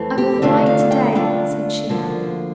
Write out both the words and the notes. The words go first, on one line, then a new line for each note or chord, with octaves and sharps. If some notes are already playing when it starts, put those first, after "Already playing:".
'I will write to-day,' said she.
Already playing: F2 E3 A3 C4
G4
D3 A3 D4 F4
F5
G5
D3 A3 D4 F4
D2 D3 F3 A#3